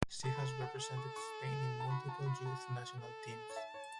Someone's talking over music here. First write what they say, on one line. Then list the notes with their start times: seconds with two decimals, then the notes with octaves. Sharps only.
She has represented Spain in multiple youth national teams.
0.23 A4 A5
0.35 B5
0.42 A5
0.61 F#5
0.79 A4
0.97 C#6
1.16 C#6
1.80 A5
1.90 F#4 B5
2.08 A5
2.26 B5
2.45 A5
3.01 A4
3.50 C#5
3.56 E5 A5
3.74 C#5